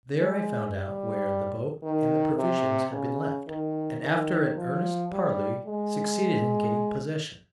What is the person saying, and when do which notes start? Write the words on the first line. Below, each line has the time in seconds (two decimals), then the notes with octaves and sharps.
There I found out where the boat and the provisions had been left, and after an earnest parley succeeded in getting possession.
0.19 G#3
0.73 G3
1.83 D#3
2.37 C3
2.92 C#3
3.47 D#3
4.02 D#3
4.57 F3
5.12 G3
5.66 G#3